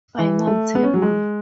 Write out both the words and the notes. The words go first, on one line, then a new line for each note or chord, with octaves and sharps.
Final table.
E3
A3
B3
C#4
F#3
G#3